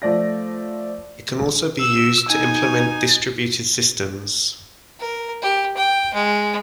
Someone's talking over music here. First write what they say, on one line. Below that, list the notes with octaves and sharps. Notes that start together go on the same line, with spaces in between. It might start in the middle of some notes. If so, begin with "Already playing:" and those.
It can also be used to implement distributed systems.
F3 A3 D5 A#6
E6
D#4 G#5
A#4
G4
G5
G#3